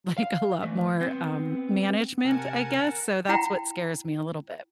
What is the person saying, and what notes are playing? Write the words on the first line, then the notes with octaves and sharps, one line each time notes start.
like a lot more, um, management, I guess, so that's what scares me a little bit.
F5
E3 A3
B3 C4
C3 A#4 F#5 G#5 A5
E4 F4 F#5 G5 A#5